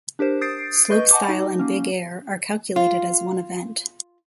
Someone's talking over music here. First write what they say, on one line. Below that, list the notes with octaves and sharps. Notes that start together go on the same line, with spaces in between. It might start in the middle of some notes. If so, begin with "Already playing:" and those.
Slopestyle and Big Air are calculated as one event.
D4 G4 A#4 C5
D#6 G6 A6 C7 D7
B4 D#5 C#6 G6
D#5 F#5 G#5 A5 C#6 D6
D#4 F#4
A#3 C#4
F4